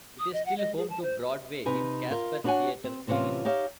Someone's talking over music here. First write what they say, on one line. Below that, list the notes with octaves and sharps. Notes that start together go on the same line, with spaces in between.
It is still home to Broadway in Casper theatre series.
D#6
D#5
F#5
D#5
G#4
A5
C5
C3 D#4 B4 G#5
F4 A#4
B3 D4 F#4 C#5 F#5 G#5
C4
A2 C3 E3 C#4 F4 F5
D#4 G4 C#5 E5 F5